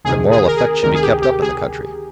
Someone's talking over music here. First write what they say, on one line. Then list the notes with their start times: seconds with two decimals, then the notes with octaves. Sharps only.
The moral effect should be kept up in the country.
0.04 D2 C3 D#3 G#4
0.31 G#4
0.47 A#4
0.57 G#4
0.83 D2 C3 D#3 A#4
0.95 G#4
1.03 G4
1.22 G4
1.42 G#4